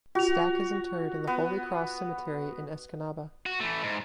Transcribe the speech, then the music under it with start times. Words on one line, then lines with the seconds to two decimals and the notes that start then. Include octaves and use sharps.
Stack is interred in the Holy Cross Cemetery in Escanaba.
0.15 F4 F#4 F7
1.27 B3
3.46 F#4
3.60 E3 A3
3.83 G#2